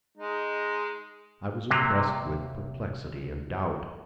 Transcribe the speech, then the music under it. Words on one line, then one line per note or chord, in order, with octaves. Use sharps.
I was oppressed with perplexity and doubt.
G#3 D#4
C3 F#3 A#3